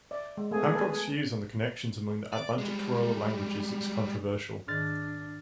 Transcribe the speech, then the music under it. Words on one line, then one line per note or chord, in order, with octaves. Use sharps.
Hancock's views on the connections among the Atlantic creole languages is controversial.
D5 E5
G#3
A3 B3 G#4
A4 B4 A5
D5
G3 G#3
G#2 D#3 D4 F6 A6